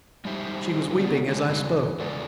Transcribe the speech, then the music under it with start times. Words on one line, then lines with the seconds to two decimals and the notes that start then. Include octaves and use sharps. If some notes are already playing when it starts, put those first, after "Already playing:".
She was weeping as I spoke.
0.25 G3 G#3 D#4 G4 C5 E5
0.99 B3 C#4 G#4 D5
1.27 D#3 G#3 A3
1.49 G2 G3 C4 D#4
1.62 E2 C#3
2.00 E2 C#3 G#3 A4 D5